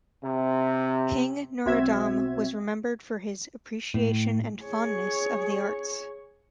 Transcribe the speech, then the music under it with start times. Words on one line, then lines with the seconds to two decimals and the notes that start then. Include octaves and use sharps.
King Norodom was remembered for his appreciation and fondness of the arts.
0.24 C3
1.66 B1 C4 F#4 E5 G#6
3.94 A2
4.63 G#4 C#5